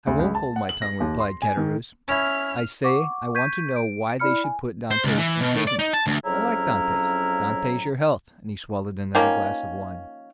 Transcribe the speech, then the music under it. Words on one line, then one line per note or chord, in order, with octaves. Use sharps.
"I won't hold my tongue!" replied Caderousse; "I say I want to know why they should put Dantes in prison; I like Dantes; Dantes, your health!" and he swallowed another glass of wine.
D2
C#2
A5
F#5
F#7
A#6
D#2
C6
G#5
D#3
C#4 E4 F6
F#5 C#6 D6
C#6 G6 G#6 B6 D#7
D7
E4 D5 B5 F6 C#7
G#5
C5
C#2
E3
B2
A2
D5
D#4
A5
D2
F2 C#3 F#3 C#4 E4 A#5
D#3 F3 A#3 C#4